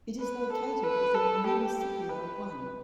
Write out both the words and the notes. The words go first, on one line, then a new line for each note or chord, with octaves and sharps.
It is located within Municipio I.
B4
A4
B4
A4
G4
G4
B4